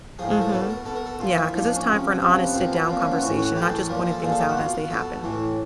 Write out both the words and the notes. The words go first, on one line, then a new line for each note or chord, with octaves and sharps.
Mhm. Yeah, 'cause it's time for an honest sit down conversation, not just pointing things out as they happen
A2 F3 G#4
A4
A#4
B2 A4
A#4
B2 A4
A#4
A4
A#2 F3 F4
E4
A#2 F3 D#4
D4
C#4
C3 F3
C3 F3
B3
A#2 F3 C4
B3
A#2 F3 C4
C#4
B3
A2 E3 C#4
F#4
A2 E3 G4
G#4
A4
A#4
A#2 F3 A#4
A#4
A4
A#2 F3 G#4
A4
G4
F#4
B2 F4
F4
B2 A4
A2 E3